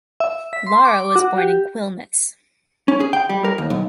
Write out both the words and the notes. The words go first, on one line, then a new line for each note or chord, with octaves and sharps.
Lara was born in Quilmes.
E5
B6
C6
D6
F#4
G4
C#4
G#4
G5
G3
A#4
D#2
B1